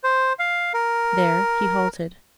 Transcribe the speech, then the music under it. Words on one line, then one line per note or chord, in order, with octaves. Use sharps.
There he halted.
C5
F5
A#4